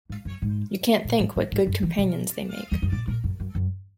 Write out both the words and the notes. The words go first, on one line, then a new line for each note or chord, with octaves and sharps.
You can't think what good companions they make.
G#2
F#2
G#2
A#2
G#2
G#2
G#2
F#2
E3
B2
E2
F#2
A#2
A#2
F#2
F#2
F#2